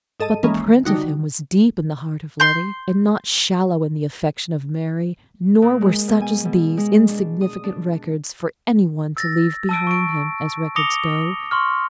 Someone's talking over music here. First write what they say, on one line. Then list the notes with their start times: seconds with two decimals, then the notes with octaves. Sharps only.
But the print of him was deep in the heart of Letty, and not shallow in the affection of Mary; nor were such as these, insignificant records for any one to leave behind him, as records go.
0.20 G#2 A4 D#5 A5 D#7
0.43 D#3 E3 G#3 A#3 C#4
0.85 D3 G3 D#4 F#4
2.40 C6 G6
5.62 A#2
5.81 G#3
6.08 B2
6.22 G#5
6.45 B2
6.77 G#3
7.10 D4
7.41 D#6
7.64 D4
9.17 E6 A6 A#6
9.69 A5 E6 D7
9.87 C#6 D7
10.76 D6 D#6 A#6 C#7 F7 G7
11.51 C6 C#6 F6